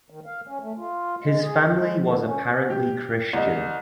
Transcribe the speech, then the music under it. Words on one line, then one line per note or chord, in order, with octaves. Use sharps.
His family was apparently Christian.
D#3
F5
C#4
A3
F4
G#3
G#4
F2
G#3
D3
C#4
G4
C2 D#5